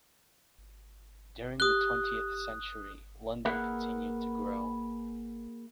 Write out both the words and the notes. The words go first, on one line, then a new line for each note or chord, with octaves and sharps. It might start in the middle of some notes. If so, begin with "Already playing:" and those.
During the twentieth century, London continued to grow.
G4 D#6 F#6 G7
A#3 G#4 A#4 B4 E5 F#5